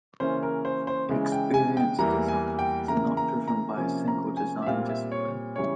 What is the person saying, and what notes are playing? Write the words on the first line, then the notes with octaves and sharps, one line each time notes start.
Experience design is not driven by a single design discipline.
C#3 E3 A#3 C#4 C5
A#4
C5
C5
C#3 E3 G#3
G5
G#5
G5
E2 E3 G3 A#3 A#5
G#5
G5
C#3 E3 A#3 A#5
A#5
A#5
C3 F3 A#3 C#4 G#5
A#5
G#5
E5
A#2 G3 C4 F5
E5
C#5
C#3 E3 G3 C#5